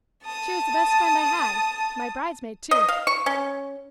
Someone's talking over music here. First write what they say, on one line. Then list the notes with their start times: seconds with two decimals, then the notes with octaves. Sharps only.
She was the best friend I had,--my bridesmaid, too.
0.24 A5 D#6
2.71 D#5
2.88 F5
3.07 C#6
3.26 C#4